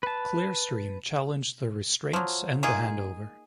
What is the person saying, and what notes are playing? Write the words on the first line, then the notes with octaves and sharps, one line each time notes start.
Clearstream challenged the restraints and the handover.
B4 A5
F3 F#3
A#3 D#4 F4 G#4